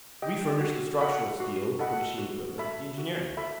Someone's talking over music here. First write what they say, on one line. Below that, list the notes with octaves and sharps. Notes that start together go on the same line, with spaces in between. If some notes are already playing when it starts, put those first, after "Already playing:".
We furnish the structural steel, the machine-equipment, the engineering.
G4 D#5 G5
F#4
A4 D#5 F#5 B5
F#4
A4 D#5 F#5 B5
F#4
A4 E5 B5
F#4
A4 E5 B5